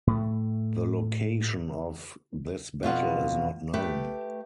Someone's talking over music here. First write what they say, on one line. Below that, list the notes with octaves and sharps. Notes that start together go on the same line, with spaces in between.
The location of this battle is not known.
A2 A3
F2 B2 F4 F#5
A3 G4 B4